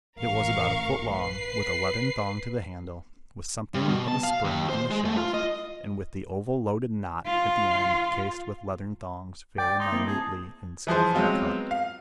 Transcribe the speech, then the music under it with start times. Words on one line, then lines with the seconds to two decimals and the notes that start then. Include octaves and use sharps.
It was about a foot long, with a leathern thong to the handle, with something of a spring in the shaft, and with the oval loaded knot at the end cased with leathern thongs very minutely and skilfully cut.
0.18 A1 A#4 F5 C#6
1.11 B4 C7
3.74 G2
3.89 B2
4.08 A5
4.23 F5
4.44 D#2
4.70 C5
4.90 G#3
5.05 A3
5.17 F4
5.34 D#5
7.26 F4
9.58 D5 G5
9.80 D#4 C6
9.92 A#3 C4 E4
10.07 G#4 A5
10.87 E3 F3 G#4 C5
11.15 F#3 G#3 B3 C4 F4
11.71 F5